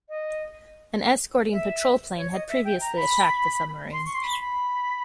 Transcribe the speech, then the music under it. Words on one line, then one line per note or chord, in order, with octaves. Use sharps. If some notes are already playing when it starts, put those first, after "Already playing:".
An escorting patrol plane had previously attacked the submarine.
D#5
E5
C#5
D#5
E5
G5
A#5
B5
C6
C#6
C6
B5
B5